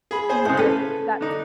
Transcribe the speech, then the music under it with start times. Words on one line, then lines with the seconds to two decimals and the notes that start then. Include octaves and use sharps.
not a that's
0.11 G#4 B5
0.29 G#4 C5 G#5
0.45 A2 C#3 C5
0.57 C#4 A4 B4
1.21 D3 D#4